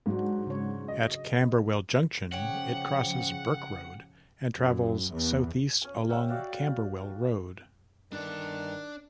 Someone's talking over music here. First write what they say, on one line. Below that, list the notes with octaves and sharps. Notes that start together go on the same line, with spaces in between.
At Camberwell Junction it crosses Burke Road and travels south east along Camberwell Road.
G#2 F#3 D4 F#4
C#3 C#5
D#5
C#3 F3 G4 C#5 F#5
F#2
E2
C#4 G#5
C#4 G4 E5 F#5
F#4 D5 F5 G5
G2 D#3 D4 A4 D5 F#6